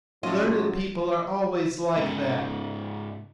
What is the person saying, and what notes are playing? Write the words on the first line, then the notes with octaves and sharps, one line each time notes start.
Learned people are always like that.
A2 F#3 C#4 F4 D#5
G#2 C#3